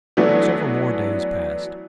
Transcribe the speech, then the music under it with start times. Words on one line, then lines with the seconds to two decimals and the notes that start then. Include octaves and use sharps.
Several more days passed.
0.17 E3 F#3 A3 B3 D4 E4